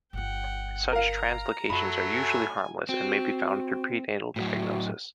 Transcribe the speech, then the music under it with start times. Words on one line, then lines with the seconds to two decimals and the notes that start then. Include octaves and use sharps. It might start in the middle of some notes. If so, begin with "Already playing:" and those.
Such translocations are usually harmless and may be found through prenatal diagnosis.
0.13 G1 F4 F#5 G5
0.92 A#4 F5 A#5
1.70 F#2 F#3 A3 B5
2.14 G#5
2.89 C4 F#4
4.36 A2 F#3 F#4